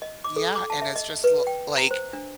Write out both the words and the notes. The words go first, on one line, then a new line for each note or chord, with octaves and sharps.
Yeah, and it's just l like,
D#5
D6
A4
D6
A5
E5
D#5
B4
G5
A#5
C5
D4